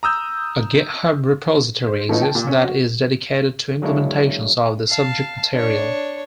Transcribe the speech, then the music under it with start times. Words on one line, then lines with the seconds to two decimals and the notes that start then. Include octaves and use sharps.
A github repository exists that is dedicated to implementations of the subject material.
0.03 A#5 D#6 E6 G6
1.87 C5
2.09 E3 A3 B3 C#4 D#4 F4
2.22 G5 A5
2.35 A#2
2.47 C#4
2.63 F#4
3.82 F#3 G#3 A#3 D4 E4 C#5
4.88 F5 A5
5.53 D4 C#5